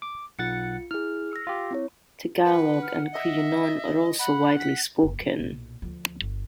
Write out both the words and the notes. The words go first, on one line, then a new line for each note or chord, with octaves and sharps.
Tagalog and Cuyonon are also widely spoken.
D6
B1 F4 F#5 A6 C#7
E4 G#4 F6
E6 A#6
F4 G4
C4 E4 C#5
B4 F#5
F6
D#5 E5
F#5 B5
B6
F#1
F#3
B1 A#2
D2 F3
G1